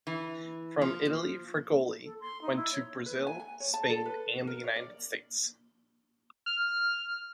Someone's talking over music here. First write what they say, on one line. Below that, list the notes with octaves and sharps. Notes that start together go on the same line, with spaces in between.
From Italy Fregoli went to Brazil, Spain, and the United States.
E3
F3
A4
C6
D#4
E4
C#5
B4
G#5
G#5
C#5
A5
A4
B4
A#4
C#5
D5
F6